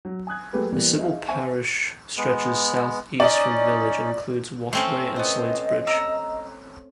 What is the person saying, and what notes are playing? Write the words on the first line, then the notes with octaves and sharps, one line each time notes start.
The civil parish stretches southeast from the village and includes Washaway and Sladesbridge.
F#3
G#5 D#6 F#6 G#6
F#3 A3 A#3 G4 G#4 B4
E3 G3 A#3 B3
D#4 G#4 E5 F5
C5 E5 G#5 C#6
G#3 B3
C#4 D#4 D5 D#5
A3 C4 C#4 C6
B3 C5 D#5
A#5 E6